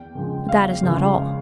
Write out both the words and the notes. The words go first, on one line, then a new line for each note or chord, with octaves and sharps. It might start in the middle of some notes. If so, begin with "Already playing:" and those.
But that is not all.
Already playing: E2 G5
C#3 F3 G#3
E2 F5
C#3 F3 G#3